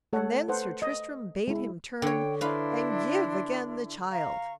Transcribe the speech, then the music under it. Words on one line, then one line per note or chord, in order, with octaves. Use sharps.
And then Sir Tristram bade him turn and give again the child.
A3 A4 C#5 F#5
A4 B4 C5 F#5
D#5
G#3 E4
D3 C#5 G5
D4 E4 B4 F5 C6
F5 A#5 C#6